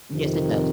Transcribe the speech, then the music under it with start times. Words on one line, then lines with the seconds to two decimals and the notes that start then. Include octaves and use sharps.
Yes, it does.
0.14 F2 C3 D#3